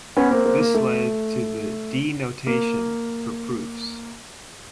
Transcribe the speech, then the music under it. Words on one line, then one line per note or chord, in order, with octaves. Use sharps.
This led to the "D-notation" for proofs.
B3 C#4
A#3 C4
A#3 C4
A#3
A3
A#3